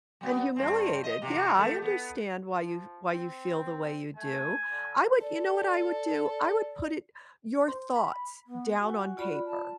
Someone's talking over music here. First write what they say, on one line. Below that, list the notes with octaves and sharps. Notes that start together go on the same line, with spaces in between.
and humiliated, yeah, I understand why you why you feel the way you do. I would you know what I would do? I would put it your thoughts down on paper.
F#3 B3
G2 C4
D#5
F2 C3
F2 A3
B3
F3
C4
A3 G#5
D3
A4 D5
C5
B5
B3
F#4 G#5
F4 D5 B5
A5